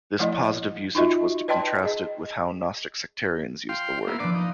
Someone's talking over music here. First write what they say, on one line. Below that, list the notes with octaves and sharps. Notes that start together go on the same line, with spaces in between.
This positive usage was to contrast it with how gnostic sectarians used the word.
F3 A3 E4 D5 D#5
D#4 F4 F#4 D#5 E5
B4 D5 D#5 G5 A5 C6
G#4 D#5
F5 G5 C6
A#3 B3 E4
F3 D4 B4 D5
D#4